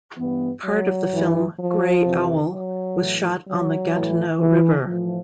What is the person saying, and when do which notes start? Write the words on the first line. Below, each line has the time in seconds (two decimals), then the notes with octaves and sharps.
Part of the film "Grey Owl" was shot on the Gatineau River.
0.17 G2 E3 B3
0.64 F#3
1.10 G2 E3
1.58 F3
2.05 F2 C3 E3
2.51 F#3
2.98 A2 E3
3.46 F#3
3.91 A2 E3
4.39 E3
4.85 A2 E3 F3